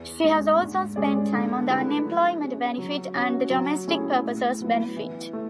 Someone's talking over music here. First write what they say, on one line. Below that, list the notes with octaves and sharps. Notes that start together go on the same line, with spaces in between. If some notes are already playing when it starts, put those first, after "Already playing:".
She has also spent time on the unemployment benefit and the domestic purposes benefit.
Already playing: E2
D3 G#3 D4
G#2
G#3 C#4 G#4 D5
D3
A3 E4 G#4 B4
F#3
C#4 G#4
F#3
C#4 F#4
F#3
A3 C#4 E4 G#4
A2
F#3 B3 E4
E3
A3